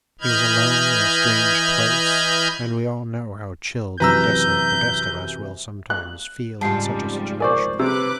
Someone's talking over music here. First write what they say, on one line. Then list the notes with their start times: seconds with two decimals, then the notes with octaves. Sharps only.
He was alone in a strange place; and we all know how chilled and desolate the best of us will sometimes feel in such a situation.
0.21 E3 D#5 B5 F6 G6 G#6
4.00 F#2 C3 E3 B4 A#5 E6 G6
5.90 F#6
6.61 G#1 G#2 C#3 F3 G3 F4 A5 C7
7.40 C2 G#3 A#4 C5 D5 G#5 C#6
7.79 C3 B4 D6 E6 F#6